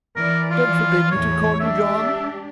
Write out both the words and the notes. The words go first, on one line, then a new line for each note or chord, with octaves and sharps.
Don't forbid me to call you John.
E3 A#4 D5
F4
E2 A2 C#5
G#3 D4 G4 E5